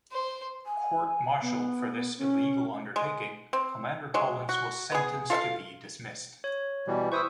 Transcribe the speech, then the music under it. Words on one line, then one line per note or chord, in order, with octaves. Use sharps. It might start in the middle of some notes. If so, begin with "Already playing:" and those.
Court-martialled for this illegal undertaking, Commander Collins was sentenced to be dismissed.
C5
G#5
B3
C#4
G#3
C4
F#3 G#3
F#4
B3 G#4
F4 A4 E5 F5
C#5
B2 E3 G3
E4 B4 C5 C#6 D#6 E6